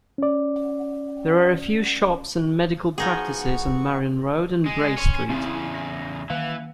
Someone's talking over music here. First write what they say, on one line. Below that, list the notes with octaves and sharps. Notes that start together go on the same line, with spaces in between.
There are a few shops and medical practices on Marion Road and Bray Street.
C#4 D5
F3 B3 D#4 F#4 G#4 C#6
G#3
C#4 G#5 C6
E2 C#3 C4 E4
A#6
D#3 E3 A#3 F5